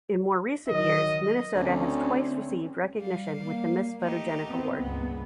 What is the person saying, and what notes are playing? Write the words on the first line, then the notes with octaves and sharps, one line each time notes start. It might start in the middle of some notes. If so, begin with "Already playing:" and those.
In more recent years, Minnesota has twice received recognition with the Miss Photogenic award.
D#3 F#3 D#5
D2 C4 C#4
G3 F5
A#3
A3 D#4 G4
B3 C4
C#2 G2 A#2 B3